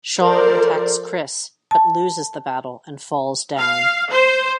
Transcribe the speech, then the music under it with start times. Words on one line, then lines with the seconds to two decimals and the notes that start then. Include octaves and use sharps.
Sean attacks Chris, but loses the battle, and falls down.
0.21 F3 A4 A#4 C5 D5
1.71 A5
3.58 F5
4.11 C5